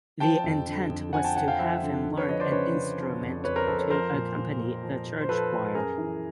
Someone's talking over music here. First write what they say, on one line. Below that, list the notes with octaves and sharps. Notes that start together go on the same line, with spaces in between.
The intent was to have him learn an instrument to accompany the church choir.
F3 G5 A5
F2
D3
F2
F3 F#5 G#5
G5 A5
F2 F#5 G#5
F5 G5
F3 E5 F#5
D3
F2
B4 C#5
F3 C#5 D#5
C5 D5
C#3 B4 C#5
C#3
F3
F2
F2 B4 C#5
A#4 C5
F2 A4 B4
B4 C#5
F3 A#4 C5
A#2
A#2
A#2
F3
A#2
C5
F3 A4 B4
F3
F#2 G#4 A#4
E3